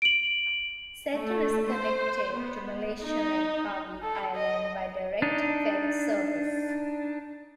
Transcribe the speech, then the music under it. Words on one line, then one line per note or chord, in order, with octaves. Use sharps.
Satun is connected to Malaysian Langkawi Island by direct ferry service.
D7 F#7
A3
C5
B3
D#4
A4
D#5
D4 D#4